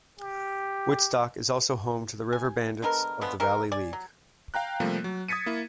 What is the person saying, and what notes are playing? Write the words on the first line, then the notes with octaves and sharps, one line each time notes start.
Woodstock is also home to the River Bandits of the Valley League.
G4
G#5
D3 G#3 B3 A#4
D3 F3 G#3 B3
C3 E3 A#4
D5 G#5
F#3
F5 G5 A#5 F#6
C3 F3 G3 A3 A#3
F#3
D#6 G#6 A6 B6 C#7 D#7
A#3 E4